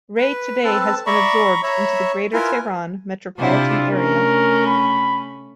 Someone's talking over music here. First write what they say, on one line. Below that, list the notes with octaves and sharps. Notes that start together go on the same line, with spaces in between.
Ray today has been absorbed into the Greater Tehran metropolitan area.
B4
C4 A4 B4 A5
D5 E5 A#5 B5 C#6
C#5 E5 A#5 B5
E4 F4 A#4 B4 G#5
C3 D4 E4 F4
A3 C#4 A#4
B5